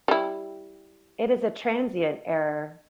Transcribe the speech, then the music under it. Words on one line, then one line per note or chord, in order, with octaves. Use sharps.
It is a transient error.
G3 E4